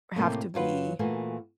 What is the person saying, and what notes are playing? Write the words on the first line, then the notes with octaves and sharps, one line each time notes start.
have to be
A2 C3 A#3 G5
F#2 F#3 F4 B4
A#2 E3 A3 A#3 F#4 G#4